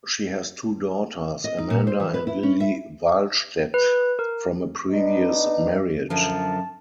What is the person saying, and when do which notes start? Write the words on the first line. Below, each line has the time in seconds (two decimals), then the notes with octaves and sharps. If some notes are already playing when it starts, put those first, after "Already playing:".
She has two daughters, Amanda and Lili Wahlstedt, from a previous marriage.
1.44 D#5
1.58 D#4
1.70 A#2
1.87 C5
2.00 E3
2.14 B4
2.27 E4
2.43 C#4
2.60 E5
3.74 B4
4.19 A#4
4.91 B3 D4 D#4 B4 D5 D#5
6.10 F#2 D3 F3 A5